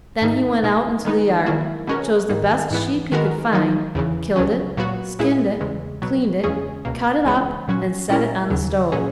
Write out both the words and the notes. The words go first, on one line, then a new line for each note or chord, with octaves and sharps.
Then he went out into the yard, chose the best sheep he could find, killed it, skinned it, cleaned it, cut it up, and set it on the stove.
G#2 D#3 A#3 D#4
B2 A#3 D#4
D#3 G#3 B3 D#4
D#3 F#3 A#3 E4
B2 G#3 C#4 F#4 A#4
G#2 D#3 A#3
G#2 E3 B3
D#3 G#3 B3 F#4 A#4
D#3 F#3 A#3 D#4
E2 C#3 E3
C#2 B2 F#3 C#4
A#2 F#3 B3 F#4
A#2 G#3 B3 E4 G#4
E2 C#3 G#3
B2 F#3 B3
E2 C#3 G#3 C#4 G#4
C#2 B2 A#3
C#2 C#3 E3 G#3 C#4
A#2 F#3 C#4 F#4
A#2 G#3 C#4 E4 A#4
D#2 C#3 F#3
A#2 F#3 C#4 G#4